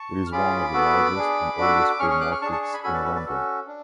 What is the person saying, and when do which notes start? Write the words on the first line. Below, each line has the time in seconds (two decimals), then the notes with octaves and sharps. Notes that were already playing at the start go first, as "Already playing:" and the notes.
It is one of the largest and oldest food markets in London.
Already playing: A5 C#6
0.27 F6
0.32 C#4 F4 G#4 B5 D6
0.74 B3 F#4 A4
1.16 D4 G#4
1.58 D4 F#4 A4
1.90 D6
1.99 C#4 G#4 C#6 F6
2.10 C#6 F6
2.20 D6 F#6
2.31 C#6 F6
2.42 D4 A5 C#6
2.46 G#4
2.52 A5 C#6
2.63 A5 C#6
2.73 G#5 B5
2.83 C#4 F#4 A4 G#5 B5
2.94 B4 D5
3.05 B4
3.15 B4 D5
3.25 C#4 F#4 A4
3.67 D4